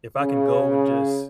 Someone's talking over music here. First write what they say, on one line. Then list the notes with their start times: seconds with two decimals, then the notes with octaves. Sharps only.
if I can go and just
0.18 C#3